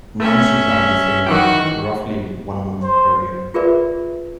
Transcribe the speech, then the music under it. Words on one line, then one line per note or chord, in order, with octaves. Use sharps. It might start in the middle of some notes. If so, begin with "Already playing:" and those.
Monsey died the same year, roughly one month earlier.
A3 C#4 E5
D#3 E3 F#4 F#5 G5
C5
F4 G#4 A#4 B4 D5 E5